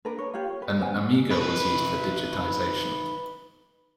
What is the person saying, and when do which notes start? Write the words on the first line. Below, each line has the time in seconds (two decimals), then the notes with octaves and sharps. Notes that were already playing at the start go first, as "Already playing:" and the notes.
An Amiga was used for digitisation.
0.05 D4 A#4 B4
0.18 C#5
0.34 F4 G4 C#5 F5
0.50 C#5
0.62 B4
0.79 D4 C5 F#5 G#5
1.31 D#4 B4